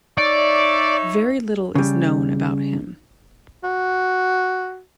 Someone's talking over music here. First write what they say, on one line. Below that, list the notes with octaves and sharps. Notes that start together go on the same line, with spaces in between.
Very little is known about him.
D#4 C#5 D5 E5
C#3 G3
F#4